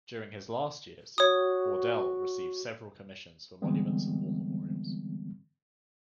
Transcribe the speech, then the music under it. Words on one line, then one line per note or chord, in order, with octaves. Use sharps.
During his last years, Bourdelle received several commissions for monuments and war memorials.
F#4 C#5 D#6
D3 E3 G3 G#3 B3 C4